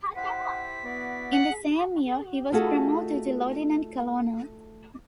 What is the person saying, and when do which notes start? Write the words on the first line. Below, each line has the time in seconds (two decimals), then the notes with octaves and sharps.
In the same year he was promoted to lieutenant colonel.
0.16 E4 G4 C5 F#5 B6
0.84 B3 E4 F#4 D5
1.33 F#5
2.52 A3 D#4 F4 F#4 G#4 A4